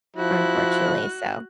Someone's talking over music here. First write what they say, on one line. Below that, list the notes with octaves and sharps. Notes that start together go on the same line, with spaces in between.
unfortunately, so
F3 E4 F#4 F#6